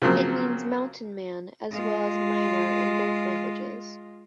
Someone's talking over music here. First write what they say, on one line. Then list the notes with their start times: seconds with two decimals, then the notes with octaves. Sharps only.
It means "mountain man" as well as "miner" in both languages.
0.02 C#3 F3 F#3 A#3 C4
1.71 G#3 F4